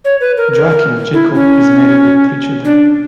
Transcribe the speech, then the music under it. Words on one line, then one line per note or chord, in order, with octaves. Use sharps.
Joachim Jacob is married with three children.
C#5
B4
A#4
A#4
A#4
E4
C#4
D4